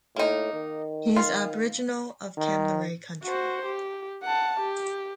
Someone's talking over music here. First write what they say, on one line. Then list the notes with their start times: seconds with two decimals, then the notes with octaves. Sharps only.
He is aboriginal of Kamilaroi country.
0.16 A2 A#3 D#4
0.53 D#3
1.16 F4
2.38 D#3
3.23 F#4 C5
3.66 G4
4.23 F#5 A5
4.60 G4